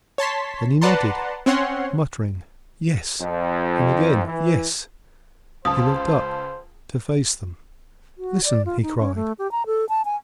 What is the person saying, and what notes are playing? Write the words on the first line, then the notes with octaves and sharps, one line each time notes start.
Then he nodded, muttering, "Yes," and again, "Yes." He looked up, to face them. "Listen," he cried.
C#5 A5 C6 B6
B4 D5 F#5 A5 A#5 C6
C4 C#4 C#5 F#5 C6
F2
E3
C#2 C5 A5 D#6
F#4
D5
F4
D#4
C#4
A3
G4
A#5
A4
A5
G#5